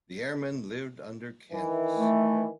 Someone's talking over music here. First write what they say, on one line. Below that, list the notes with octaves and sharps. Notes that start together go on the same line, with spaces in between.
The airmen lived under canvas.
D#3 E3
A3